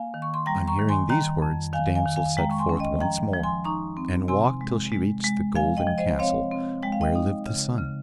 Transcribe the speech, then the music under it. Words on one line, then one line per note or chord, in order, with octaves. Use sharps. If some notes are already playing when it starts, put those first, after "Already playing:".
On hearing these words the damsel set forth once more, and walked till she reached the Golden Castle, where lived the Sun.
Already playing: A#3 F5 G#5
D#3
C#6
C6
G3 G5 A#5
A#5 C#6
D#3
G#5 C6
D#3 G5 A#5
F2
D#3 F5 G#5
F5 G#5
D#3
F5 G#5
G#3 G5 A#5
C#6
G#5 C6
C#4
D#5 G5
F3 G5 A#5
F3
G#5 C6
D#4 A#5 C#6
C4
C3 G#5 C6
G#3
G#3
G#3
F3 F5 G#5
D#5 G5
F3
C5 D#5
C4 C#5 F5
C4
G#3 G5
F5
D#5 G5
D#4
C#3
C#3